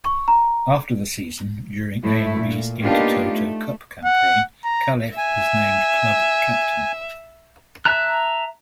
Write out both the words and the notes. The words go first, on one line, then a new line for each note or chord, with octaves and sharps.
After the season, during AaB's Intertoto Cup campaign, Califf was named club captain.
C#6
A#5
A2 A3 E4
A#2
A#3 B3 D4 D#4 F4 G4
A3
F#5
A#5
E5 G#5
E5 A5 A#5 F#6